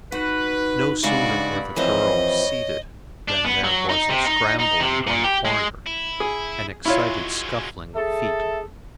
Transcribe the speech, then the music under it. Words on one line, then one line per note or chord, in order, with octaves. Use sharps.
No sooner were the girls seated than there was a scramble in one corner, an excited scuffling of feet.
D#4 F#4 B4
G2 C#3 G#3 D4 F#4 D5 B5
E3 F3 C4 C#5 D#5
D4
B3
F#3
D#4
C3
D#4
D#4
C3
A#2
G4
G#3
E4
G#4
F#3 G#3 E4 F4 C#5
G#4 A4 E5